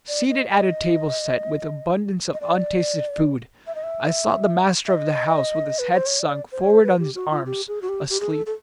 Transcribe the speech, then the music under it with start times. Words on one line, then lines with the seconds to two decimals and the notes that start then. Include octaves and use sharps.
Seated at a table set with abundance of untasted food, I saw the master of the house with his head sunk forward on his arms, asleep.
0.08 D5
0.30 D#5
0.51 D#5
2.34 D#5
2.41 D5
3.67 E5
3.75 D#5
3.83 E5
4.87 E5
4.94 D#5
5.79 B4
5.93 C5
6.06 C#5
6.20 D5
6.52 C5
6.61 C#5
6.71 C5
6.83 B4
6.99 G4
7.15 F#4
7.31 F4
7.46 G4
7.68 G#4
7.82 F#4
7.89 G4
8.10 G4
8.20 G#4
8.31 A4
8.46 A4